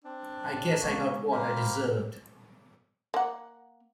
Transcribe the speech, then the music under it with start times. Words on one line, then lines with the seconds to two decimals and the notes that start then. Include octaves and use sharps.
I guess I got what I deserved.
0.04 C4 D4
0.80 C#3 G#3 A#3 B3 C#5
1.32 G3 A#3 C5 B5
3.14 A#3 F#5